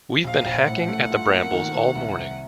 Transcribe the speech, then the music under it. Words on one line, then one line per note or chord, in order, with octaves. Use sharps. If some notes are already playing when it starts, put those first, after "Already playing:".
We've been hacking at the brambles all morning.
A#1 F5
A#1
A2 F#5
A3
F4
A#3
D#3
D#3
C2
C2